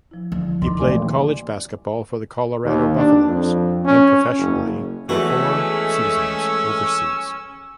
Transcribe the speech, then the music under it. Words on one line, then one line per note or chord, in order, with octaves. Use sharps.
He played college basketball for the Colorado Buffaloes and professionally for four seasons overseas.
F3 E4
D3 F3
D#3 C6 D6
D#1 A1 D5 G#5
D#2
D4
F2
C#4
F#1
E2 G#3 A3 C#4 F#4 E6